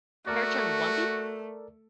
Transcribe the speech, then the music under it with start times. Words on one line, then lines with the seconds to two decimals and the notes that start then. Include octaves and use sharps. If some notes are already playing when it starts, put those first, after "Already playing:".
character in One Pi
0.27 A3 F#4 A4 A#4 D5